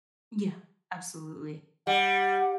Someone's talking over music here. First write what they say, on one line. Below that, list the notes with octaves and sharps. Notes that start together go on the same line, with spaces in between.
Yeah. Absolutely.
G3 F#5